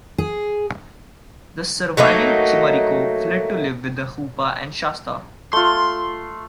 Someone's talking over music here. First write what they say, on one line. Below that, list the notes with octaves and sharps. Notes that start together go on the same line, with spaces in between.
The surviving Chimariko fled to live with the Hupa and Shasta.
G#4
F#3 A3 A#3 D#4
A3 F4 C6